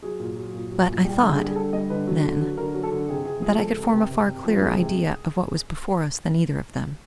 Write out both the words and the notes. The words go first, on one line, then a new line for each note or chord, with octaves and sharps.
But I thought--then--that I could form a far clearer idea of what was before us than either of them.
F#3 G#4
A#2
F#3
A#2
F#3
A#2
G3 G4
D3
G#4
G3
G#4
D3 A4
G3 D#5
D3 B4
F#3
D3
F#3
D3 A#4
F#3
A4
D3
C3 G#4
C3 G#4
F3 G#4
G#3 A4
C3
A#4
C3
C3
C3
F3
G#3 G#4
C3